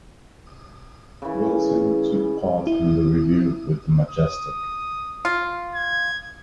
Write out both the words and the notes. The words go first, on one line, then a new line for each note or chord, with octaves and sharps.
Wilson took part in the review with the "Majestic".
C#3 E3
E4
D#6
F4
G#6